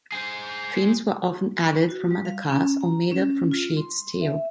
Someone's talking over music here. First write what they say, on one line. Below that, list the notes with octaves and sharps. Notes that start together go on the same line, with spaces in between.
Fins were often added from other cars, or made up from sheet steel.
G#4 C5
F#4
G3
F5
C#4
A#5
C#4
F4
C6
E5